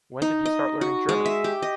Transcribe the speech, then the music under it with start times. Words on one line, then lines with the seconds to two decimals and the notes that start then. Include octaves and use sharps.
When did you start learning German?
0.22 D#4
0.46 D#5
0.81 F#4
1.09 G#3
1.26 E5
1.44 G4
1.62 D#5